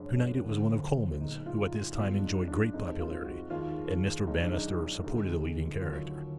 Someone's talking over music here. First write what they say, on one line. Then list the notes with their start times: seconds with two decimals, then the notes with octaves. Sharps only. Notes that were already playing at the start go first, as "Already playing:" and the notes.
To-night it was one of Colman's, who at this time enjoyed great popularity, and Mr. Bannister supported the leading character.
Already playing: F#1 F#2 F3 G#3 D4
0.42 D2 D3 F3
1.20 B1 A#2 G#3 D#4
1.46 F4
1.61 D#4
1.72 F4
1.96 B1 B2 G#3 F4
2.18 D4
2.22 D#4
2.48 D4
2.73 F2 F3 G#3 D#4
3.00 F4
3.24 F#4
3.50 D#2 D#3 G#3 F4
4.27 B1 B2 G#3 D#4
4.43 D4
4.53 D#4
4.79 D#4
5.04 D2 D3 G#3 D#4
5.81 D#2 D3 F#3 F4